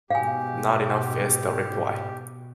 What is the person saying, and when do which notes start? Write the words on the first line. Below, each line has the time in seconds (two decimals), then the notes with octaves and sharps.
Not enough, is the reply.
0.11 G#2 B2 G4 F5 G#5